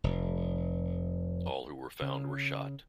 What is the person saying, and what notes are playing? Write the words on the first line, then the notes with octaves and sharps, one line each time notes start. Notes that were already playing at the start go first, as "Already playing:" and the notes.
All who were found were shot.
F1
C#3